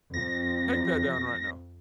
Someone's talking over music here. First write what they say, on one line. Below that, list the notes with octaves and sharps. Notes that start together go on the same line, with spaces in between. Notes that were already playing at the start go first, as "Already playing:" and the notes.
Take that down right now.
F2 A#6